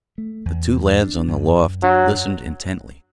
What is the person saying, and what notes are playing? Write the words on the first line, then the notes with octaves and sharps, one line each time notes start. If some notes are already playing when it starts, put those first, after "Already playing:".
The two lads on the loft listened intently.
A3
E2
E2
D4
F#2
F#2
F#3 D4